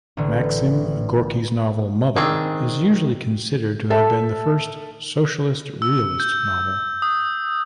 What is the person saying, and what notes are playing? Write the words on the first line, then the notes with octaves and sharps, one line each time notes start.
Maxim Gorky's novel "Mother" is usually considered to have been the first socialist-realist novel.
A1 D3
D#3 C4 D4 G#4
A4 E5 A5
E6
G6
D#6